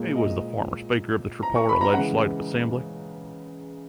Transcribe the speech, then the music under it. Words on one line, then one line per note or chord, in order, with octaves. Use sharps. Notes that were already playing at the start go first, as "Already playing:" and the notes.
He was the former Speaker of Tripura Legislative Assembly.
Already playing: A#2 G#3
D#5
A#5
C#6
B5
A#5
C#3 E3 G#3 F#5